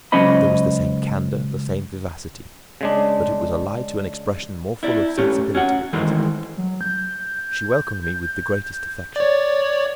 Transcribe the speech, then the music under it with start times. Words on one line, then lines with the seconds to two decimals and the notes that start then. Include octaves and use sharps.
There was the same candour, the same vivacity, but it was allied to an expression more full of sensibility and intellect. She welcomed me with the greatest affection.
0.12 C#2 F#3 C#4 C5 D#5 B5
2.81 C#3 G#3 D4
4.83 E4 D5
5.18 A3 C#4 G4
5.55 C#4 F#4 F#5
5.93 D#3 E3 G#3 A3 C5
6.58 F#3
6.81 G6
9.16 C#5 D5